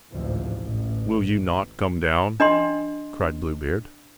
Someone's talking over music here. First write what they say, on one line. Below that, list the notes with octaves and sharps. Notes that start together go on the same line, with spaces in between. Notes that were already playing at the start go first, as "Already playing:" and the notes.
"Will you not come down?" cried Blue Beard.
A1 D2 G#2 C3 E3 F3
A1
D4 D#5 G5 C6